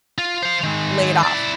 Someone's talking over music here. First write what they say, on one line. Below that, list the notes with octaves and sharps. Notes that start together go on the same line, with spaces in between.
laid off.
F4
C5 F5
D#3 G#3
E4 D5